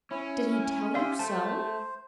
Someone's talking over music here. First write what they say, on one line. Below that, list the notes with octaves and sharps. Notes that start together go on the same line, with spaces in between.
"Did he tell you so?"
C#4 E4
G4 D5 E5 F5 G5 C6
A3 C5 A5